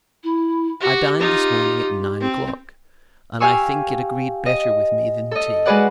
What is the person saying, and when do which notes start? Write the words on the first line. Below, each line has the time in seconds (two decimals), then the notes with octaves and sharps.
I dined, this morning, at nine o'clock; and, I think, it agreed better with me than tea.
0.23 E4
0.81 F#4 G4
1.20 D#4 F4
2.20 C4
3.40 G4 F5 G#5 C#6 E6
4.46 D#5
5.31 A4 D#5
5.66 G#3 F#4 G#4 B4 D5 F#5